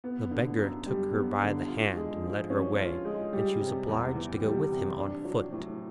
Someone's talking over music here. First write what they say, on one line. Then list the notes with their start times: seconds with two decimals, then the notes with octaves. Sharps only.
The Beggar took her by the hand and led her away, and she was obliged to go with him on foot.
0.04 B3
0.31 D3
0.58 F#2
0.86 G3
1.13 B3
1.41 D3
1.68 F4
1.96 G#3
2.23 F3
2.50 C#4
2.78 F4
3.05 G#3
3.33 G3
3.60 C3
3.88 E2
4.16 E3
4.43 G3
4.70 C3
4.98 D4
5.25 F#3
5.53 A2